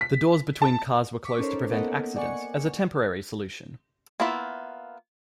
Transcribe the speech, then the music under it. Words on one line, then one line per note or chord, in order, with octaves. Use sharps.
The doors between cars were closed to prevent accidents as a temporary solution.
B6
A5
C#6 D6 B6
C#4 D#4 A4 A#4 C5 C#5
A#3 B3 A4 A#4 D#5 F#5
D5 F#5 G#5 C#6 C#7
A#3 B3 E4 F4 E5